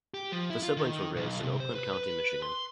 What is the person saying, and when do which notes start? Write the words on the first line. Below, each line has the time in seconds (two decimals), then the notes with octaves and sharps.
The siblings were raised in Oakland County, Michigan.
0.14 G4
0.32 F3
0.50 E4
0.63 F4
0.77 D#3
1.16 B1
1.42 C3
1.60 C5
1.75 B4
1.94 B4
2.42 C6